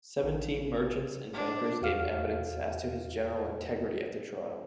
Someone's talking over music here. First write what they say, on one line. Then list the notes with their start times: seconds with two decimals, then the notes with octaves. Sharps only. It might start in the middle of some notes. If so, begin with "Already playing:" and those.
Seventeen merchants and bankers gave evidence as to his general integrity at the trial.
0.24 A1
1.33 D4
1.82 E2 F#4 F5 F6